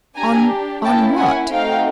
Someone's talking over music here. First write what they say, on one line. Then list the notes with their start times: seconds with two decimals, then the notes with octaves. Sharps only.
"On--on what?"
0.16 D4 G4 G#5 A#5
0.84 A#3 C#4 E4 G5 A5
1.18 F#5 G#5
1.52 A3 C4 D#4 F#4 F5 G5